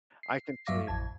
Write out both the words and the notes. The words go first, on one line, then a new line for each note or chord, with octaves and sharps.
I can tell y
C7
G2 F#3 E5 F5 D6 A#6
A1 F2 A5 G#6